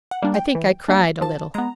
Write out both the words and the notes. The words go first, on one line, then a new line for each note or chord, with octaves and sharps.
I think I cried a little.
F#5
G3 A#3 D4
G5
E3
G3 A#3 D4
F3 A5
G#3 B3 A#5